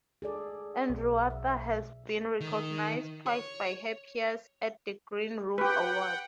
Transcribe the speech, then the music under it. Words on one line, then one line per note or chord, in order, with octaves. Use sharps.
Andrewartha has been recognised twice by her peers at the Green Room Awards.
G#4 A4 D5
B1
E5
D#3
C#5
G4 B4 F#5 G5